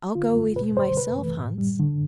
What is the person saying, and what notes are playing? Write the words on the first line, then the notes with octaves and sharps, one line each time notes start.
'I'll go with you myself, Hans.'
D3 F4
A3
B2 B4
G3 C5
C3 B4
E3 A3
A2
G3
D3